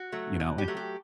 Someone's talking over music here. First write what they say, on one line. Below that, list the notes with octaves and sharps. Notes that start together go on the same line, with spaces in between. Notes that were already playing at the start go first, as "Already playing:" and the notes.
you know, an
Already playing: F#4
F#3 A3
B2
G4
F#3 A3
G4